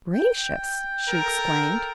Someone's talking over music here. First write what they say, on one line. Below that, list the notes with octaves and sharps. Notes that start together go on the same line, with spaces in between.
"Gracious!" she exclaimed.
G5
A4 A#4